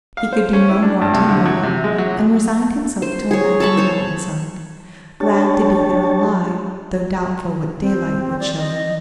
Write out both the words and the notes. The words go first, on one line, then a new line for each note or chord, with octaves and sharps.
He could do no more till morning, and resigned himself to a night on the mountain side, glad to be there alive, though doubtful what daylight would show him.
F5
C5
C#4
E4
D4
G2
C3
D3
F#3
C3
G#3
F#3
C5
G#4 C#5
A4 A5 B5 C#6
C5 C#5
D4 G4 C#5 A5
C4
D5
D#5